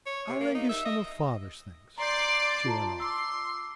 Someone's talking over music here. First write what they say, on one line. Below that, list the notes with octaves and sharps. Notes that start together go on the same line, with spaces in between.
"I'll lend you some of Father's things," she went on.
C#5
C3
A#3
D#4
E5
D#5
D5 A#5 C6 D6 G6
F4 A5 A#5
C6 D6 E6